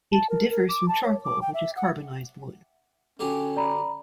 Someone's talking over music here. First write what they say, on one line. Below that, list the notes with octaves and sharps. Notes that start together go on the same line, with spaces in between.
It differs from charcoal which is carbonised wood.
A5
A#4
A#4
D6
A5
C#5
D6
G5
E5
F#5
D3 F#3 C#4 G4
D5 A#5 B5